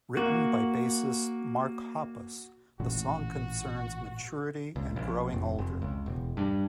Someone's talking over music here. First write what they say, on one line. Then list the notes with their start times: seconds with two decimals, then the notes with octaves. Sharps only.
Written by bassist Mark Hoppus, the song concerns maturity and growing older.
0.17 A#3 F#4
2.80 A1 A#2 F#4
4.76 C#2
4.96 A#1
5.33 F1
5.59 F1
5.82 C#2
6.06 E1
6.37 G2